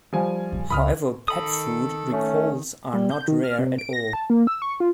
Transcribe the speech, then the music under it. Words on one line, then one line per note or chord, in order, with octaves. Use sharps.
However pet food recalls are not rare at all.
F3 G3 G#5
A#1
C#2 B5 D#6 F6
D#3 A4 B5 D#6
A3 C#4
G3
G6
D#3
F6
C3
D7
A#6
A5
A#3
E6
C#6
F4